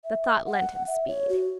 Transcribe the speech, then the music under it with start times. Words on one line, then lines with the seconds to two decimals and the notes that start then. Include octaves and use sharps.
The thought lent him speed.
0.04 E5
0.46 F#5
0.87 E5
1.08 C#5
1.29 F#4